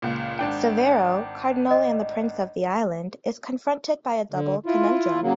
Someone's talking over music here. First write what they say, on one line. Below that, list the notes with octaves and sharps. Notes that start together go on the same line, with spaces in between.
Severo, Cardinal and Prince of the island, is confronted by a double conundrum.
C#2 A#2
G#1 D4 G5
D#5
D3
E4 F4
C#3 F#3 A#3